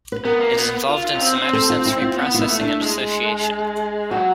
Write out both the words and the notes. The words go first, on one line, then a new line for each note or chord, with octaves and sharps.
It is involved in somatosensory processing and association.
B4
B3 A#4
A#3
B3
F4
F4
C#4
C4
C4
A4
F4
E4
F4
B3
F4
E4
A3
D4
G#3
F#3 F#4